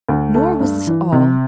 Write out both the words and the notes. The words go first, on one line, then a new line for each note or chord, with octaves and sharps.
Nor was this all.
D2
A3
G2
E3
C3